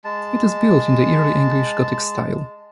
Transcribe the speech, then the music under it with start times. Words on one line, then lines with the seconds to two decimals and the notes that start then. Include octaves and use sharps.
It is built in the Early English Gothic style.
0.04 G#3 A5